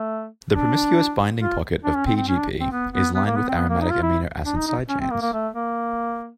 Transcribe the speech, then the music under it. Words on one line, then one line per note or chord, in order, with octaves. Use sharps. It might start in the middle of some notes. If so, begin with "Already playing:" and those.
The promiscuous binding pocket of P-gp is lined with aromatic amino acid side chains.
Already playing: A3
D4
F4
D4
C#4
C4
C4
C#4
D4
C4
B3
B3
B3
A#3
B3
C4
B3
A#3
D#4
F4
E4
D4
D#4
D#4
C#4
C4
A#3
A#3
A3
A#3